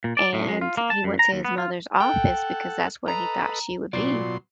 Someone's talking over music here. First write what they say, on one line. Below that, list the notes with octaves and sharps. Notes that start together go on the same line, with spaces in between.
and he went to his mother's office because that's where he thought she would be.
A#2
D5
A2
G#3
F4
A#3
A5
F#2
A#5
D#2
B3
F4
A4 F#5 G5
A4 B4 D#5 A#5
B2 F#3 F4 D5 C6